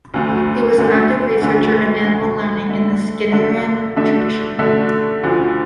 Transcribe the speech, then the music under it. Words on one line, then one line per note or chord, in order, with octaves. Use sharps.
He was an active researcher in animal learning in the Skinnerian tradition.
D2 D3 A3
D2 D3 A3
D2 D3 A3
D2 D3 A3
D3 A3 D4 A4 E5
D3 A3 D4 A4 E5
D3 A3 D4 A4 E5
D3 A3 D4 A4 E5
D2 D3 F3